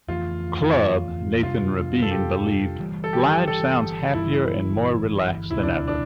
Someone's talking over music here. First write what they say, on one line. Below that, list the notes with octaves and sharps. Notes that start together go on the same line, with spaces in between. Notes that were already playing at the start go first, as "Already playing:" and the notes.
Club", Nathan Rabin believed "Blige sounds happier and more relaxed than ever.
F2 E3 A3 F4
F2 C3 G3 D4 F4
A4
G4
G1 G2 E3 G3
A4
G4
A4
G1 G2 E3 G3 E4
E1 D2 C3 E4
D4
D4